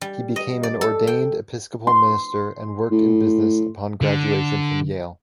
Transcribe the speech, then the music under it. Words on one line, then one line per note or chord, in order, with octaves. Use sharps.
He became an ordained Episcopal minister and worked in business upon graduation from Yale.
G3
D#5
D5
A4
G5
C6
A2
D3